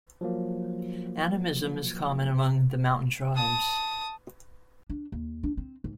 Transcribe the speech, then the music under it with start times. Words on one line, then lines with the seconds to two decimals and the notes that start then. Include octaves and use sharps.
Animism is common among the mountain tribes.
0.21 F3 F#3 A#3
3.35 A5 D#6
4.90 D4
5.12 D#2
5.43 D4
5.57 C4
5.84 G#2